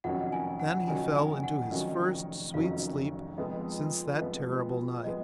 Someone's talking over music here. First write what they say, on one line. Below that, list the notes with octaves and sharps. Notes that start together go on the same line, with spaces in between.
Then he fell into his first sweet sleep since that terrible night.
F1 F2 D#3 F#3 C#4 F#5
G#5
F#5
F1 F2 D#3 F#3 C#4 G#5
G#5
F#5
F1 F2 D#3 F#3 C#4
F1 F2 D#3 F#3 C#4 F5
F2 F3 G#3 B3
F2 F3 G#3 B3
F3 G#3 B3 D#5